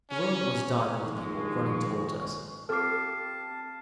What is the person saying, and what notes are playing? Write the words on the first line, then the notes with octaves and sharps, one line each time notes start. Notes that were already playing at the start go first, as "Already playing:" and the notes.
The road was dotted with people running towards us.
C#4
D#3 F3 G#3 C#6
C4 F4 G4 A4 A5 D6 F6 C7